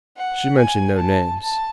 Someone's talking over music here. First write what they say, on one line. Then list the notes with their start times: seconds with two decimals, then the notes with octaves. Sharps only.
"She mentioned no names."
0.17 F#5
0.58 G#5
0.99 A5
1.41 A5